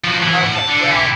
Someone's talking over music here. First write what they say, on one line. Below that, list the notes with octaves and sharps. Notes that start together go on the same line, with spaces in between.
Okay. Well,
F3 F#4
E3 E4
A2 F#5
A5
D3
E4 G4